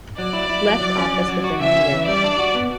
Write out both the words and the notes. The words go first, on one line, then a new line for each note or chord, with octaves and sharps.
Left office within the year.
F#3 D5
E4
E4
F#3
F#3
C#4
F#3
F#3
F#4
C#3 E5
C#4
E3
G3 D5
D4
F#4
B3